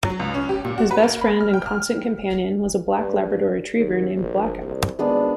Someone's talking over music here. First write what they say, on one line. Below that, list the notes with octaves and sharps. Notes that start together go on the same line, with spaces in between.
His best friend and constant companion was a black Labrador Retriever named Blackout.
F#3
C#2
C#4
G4
A#2
F#4
B4
A#3
B5
F6
G5
F6
G2
D#2
A#1
C2
G#1 G#3 B3 D4